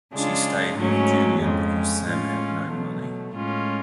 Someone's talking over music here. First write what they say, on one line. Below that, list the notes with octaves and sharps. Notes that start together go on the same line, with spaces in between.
She stayed with Julian because Sam had no money.
C#3 G#3 D4 F4
G#2 F#3 A3 C#4
F2 C#3 G#3
A2 G#3 C#4 F4
B2 F#3 A3
A2 G#3 C#4 F4